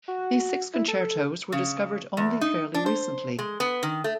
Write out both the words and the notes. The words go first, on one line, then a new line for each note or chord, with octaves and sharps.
These six concertos were discovered only fairly recently.
F#4
E4
A4
C#3
E2
D#4
D4
C5
G#3
B3
D#3
A3